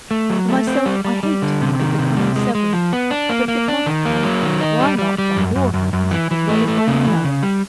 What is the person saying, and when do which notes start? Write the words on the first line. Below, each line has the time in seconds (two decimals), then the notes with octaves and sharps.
For myself I hate to think of the coming severance; but if it must come, why not by your hands as well as by any other?
0.11 A3
0.30 F#3
0.49 A3
0.67 C4
0.86 G3
1.05 G3
1.23 G3
1.42 D3
1.61 C3
1.80 D#3
1.99 C3
2.17 G3
2.36 G#3
2.55 G#3
2.73 F3
2.93 B3
3.11 D4
3.29 A#3
3.48 A#3
3.68 D4
3.86 D#3
4.05 A#3
4.23 F#3
4.42 D#3
4.61 D#4
4.80 G3
4.98 G3
5.18 G3
5.37 F#2
5.56 F#2
5.74 F#2
5.93 F#2
6.11 E3
6.31 E3
6.49 A3
6.68 A3
6.87 C#3
7.06 E3
7.24 C#3
7.43 G3